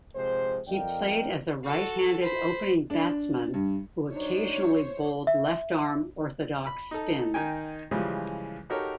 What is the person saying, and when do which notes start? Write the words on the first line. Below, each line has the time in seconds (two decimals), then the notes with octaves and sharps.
He played as a right-handed opening batsman who occasionally bowled left-arm orthodox spin.
0.15 C3 F3 G#3 G4 C5
0.68 F2 A#4 D5 D#5 F5 G5
1.63 F#4 A4
2.21 C5 B5
2.90 D4
3.54 G2
4.12 F#3 D4 D#4 C5 C#5
5.27 E5
6.67 B5
6.91 D#4 A4
7.34 D#3 D#4 G5 G#5
7.91 C#3 E3 F3 G3 G#3
8.70 D#4 F#4 G4 A4 A#4 C#5